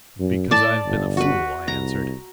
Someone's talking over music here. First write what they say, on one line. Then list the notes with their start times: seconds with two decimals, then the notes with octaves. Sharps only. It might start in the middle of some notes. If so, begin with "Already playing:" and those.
"Because I have been a fool," I answered.
0.20 F#2
0.51 A2 D5 A5
0.86 G1
1.17 F#4 B4
1.68 C2 A#5